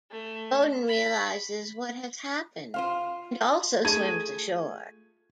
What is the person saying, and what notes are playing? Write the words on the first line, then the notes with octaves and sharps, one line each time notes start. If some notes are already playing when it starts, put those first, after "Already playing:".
Bowden realizes what has happened, and also swims ashore.
A3
B5
F4 C5 F5
A3 G#4 A4 G#6 D#7